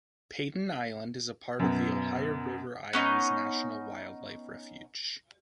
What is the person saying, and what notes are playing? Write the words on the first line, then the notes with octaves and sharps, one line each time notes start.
Paden Island is a part of the Ohio River Islands National Wildlife Refuge.
F#2 B2
B3 C#4 D#4